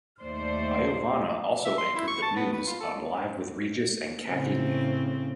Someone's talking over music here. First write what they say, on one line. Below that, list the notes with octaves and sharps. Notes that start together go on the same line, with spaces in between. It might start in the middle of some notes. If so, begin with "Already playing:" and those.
Iovanna also anchored the news on "Live with Regis and Kathie Lee".
D#2 A3 C5 D5
E5
C6
E4
C#6
A5
B3
B4
F4
A4
A2 C#3 C4